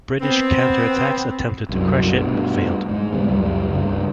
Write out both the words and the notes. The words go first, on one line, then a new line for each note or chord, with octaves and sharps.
British counterattacks attempted to crush it but failed.
B3 C4
C2 F#2
G2 B2
G#2 G#3
C3 D#3 G3 B3
C#2 F#2 G3
C#2 G2 C#3